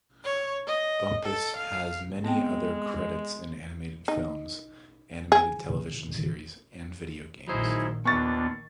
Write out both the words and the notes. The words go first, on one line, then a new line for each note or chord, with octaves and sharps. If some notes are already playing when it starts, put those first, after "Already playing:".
Bumpass has many other credits in animated films, animated television series, and video games.
C#5
D#5
A4
F5
G#3 B3 C4 G5
D#4
G#4
A#1 A#2 D#3 F#3 D#4 E4 G#4 C5
D#2 D#3 B3 D4 F4 C#6 A6